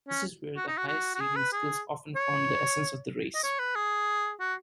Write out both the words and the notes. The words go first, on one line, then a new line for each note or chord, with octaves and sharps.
This is where the highest sailing skills often form the essence of the race.
C#4
F#4
D#4
F#4
F#4
F#4
G#4
B4
G#4
C#5
D#5
C#5
B4
G#4
F#4